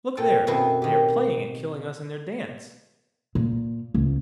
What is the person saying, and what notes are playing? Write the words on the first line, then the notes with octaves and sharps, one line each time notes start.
"Look there! they are playing at killing us in their dance."
A#2 A4 G5 A5
F#2 B2 D#3 B3 C4 E4
D#3 G4
A#2
C#2